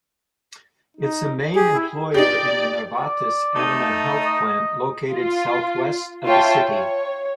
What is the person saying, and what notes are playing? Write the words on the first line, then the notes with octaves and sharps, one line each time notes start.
Its main employer is the Novartis Animal Health plant located southwest of the city.
D#4
G4 G#4
E4
D#4 G4 D5
D5
A3 D#4
D#5
F4
F4 C#5 E5 G5 A5
C#5